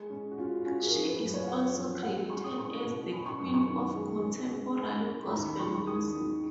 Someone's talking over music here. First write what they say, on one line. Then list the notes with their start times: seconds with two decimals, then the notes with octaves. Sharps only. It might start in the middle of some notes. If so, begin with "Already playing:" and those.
She is also credited as the Queen of Contemporary Gospel Music.
Already playing: G#3
0.10 C#4
0.31 F#4
0.38 C#4 F4
0.55 F4
0.66 C#4 F#4
0.80 G#4
0.87 A#4
0.93 F3 G#4
1.07 B4
1.20 F#2 B4
1.34 C#5
1.42 F5
1.48 C#4 F#5
1.75 F3
2.02 G#3 F#5
2.30 C#4 C#6
2.44 D#6
2.57 C#4 C#6
2.84 B2
3.12 C#4 B5
3.26 C#6
3.40 F#2
3.54 C#6
3.67 D#3
3.95 G#3
4.22 C#4
4.49 G#3
4.76 C#4 B5
5.05 C#4
5.23 B5
5.32 D#2 A#5
5.46 B5
5.59 G#3 C#6
5.73 C#6
5.87 D#2 D#6
6.14 D#3